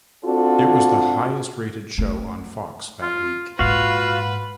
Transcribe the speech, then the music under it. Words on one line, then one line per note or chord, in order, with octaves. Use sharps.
It was the highest rated show on Fox that week.
C4 D4 F4 F#4 A4
A3 D#4
F4
A#1 G#2 F4 F#4 B4 F5